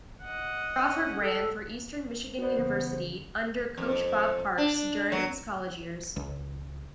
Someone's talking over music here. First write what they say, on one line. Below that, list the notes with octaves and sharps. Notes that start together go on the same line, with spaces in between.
Crawford ran for Eastern Michigan University under coach Bob Parks during his college years.
D#5 F#5
C#4
A4
B3 F#4 C5 D5
E2 C#3 B3
F2
D4
F#3
C#2